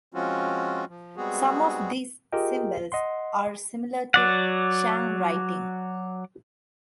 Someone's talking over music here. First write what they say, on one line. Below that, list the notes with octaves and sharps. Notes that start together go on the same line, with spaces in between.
Some of these symbols are similar to Shang writing.
F3 G#3 C4 C#4 F4 F#4
F3
G3 G#3 B3 C4 F#4 G#4
F4 G4 G#4 A#4 D#5 G5
D#5 F#5 C6
F#3 D5 F#5